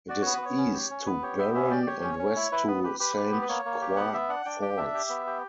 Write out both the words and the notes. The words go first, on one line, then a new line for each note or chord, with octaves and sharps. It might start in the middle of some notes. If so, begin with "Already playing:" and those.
It is east to Barron and west to Saint Croix Falls.
F#4 D5
B3 C#5
B4
B3 C#5
C#4
G4
C#4
B3 B4
G4 C#5
B3 E5
C#4 E5
G4 D5
G4 C#5
C#4
C#4
E4
E4 B4
B3 B4
G4 B4
G4 B4
G4
B3
B4
A#3 C#5
A#3
G4
B3 F#5
B3 E5
D4 F#5
D4 G5
G4 G5
D4 E5
G4
B3
G4